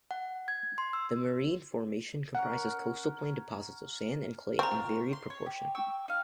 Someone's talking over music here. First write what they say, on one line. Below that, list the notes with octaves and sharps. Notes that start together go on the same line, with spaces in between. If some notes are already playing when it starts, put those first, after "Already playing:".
The marine formation comprises coastal plain deposits of sand and clay in varied proportion.
F#5
G#6
C6
E6
C#4 A#4 F#5
C4 F4 A#5 C#6
C6
C#5
G4
G5 C#6 E6
D#4 F5